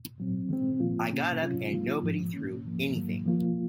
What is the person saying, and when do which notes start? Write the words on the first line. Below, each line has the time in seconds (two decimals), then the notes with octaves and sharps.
I got up and nobody threw anything.
0.18 A#2 F#3 C4
0.49 D#3 G#3 C4
0.80 A#2 F3 A#3 F4
1.10 C3 D#3 A#3 C#4
1.41 C3 F#3 C#4 F4
1.72 D#3 F#3 A#3 F4
2.03 G#2 F3 G#3
2.34 D#3 A#3 C#4
2.64 G#2 F3 A#3
2.95 G#2 D#3 F#3 A#3
3.26 F3 A#3 F4